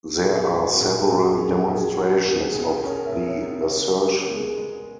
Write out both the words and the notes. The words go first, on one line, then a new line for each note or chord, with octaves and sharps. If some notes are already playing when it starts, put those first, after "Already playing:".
There are several demonstrations of the assertion.
A#2 G#4
G#4
G#3
F#4 A#4
A#1
G#4
A#1 F#4
G#4
C#4
F#4
A#1
G#4
C#4 F#4 A#4
E2
G#4 B4
B2
C#4 A#4 C#5
C#5 E5
B2
C#5 E5
E2
C#3 A#4 C#5
A#4 C#5
G#3
B3
G#4
G#3